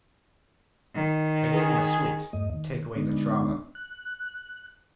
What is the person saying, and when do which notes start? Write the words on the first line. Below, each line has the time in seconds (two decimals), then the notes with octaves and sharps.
I gave him a sweet, to take away the trauma.
0.95 D#3
1.53 G#4
2.33 E2 G2 A3 D#5
2.53 D#3
2.96 D3 G#3 B3 D4 D#4
3.75 F#6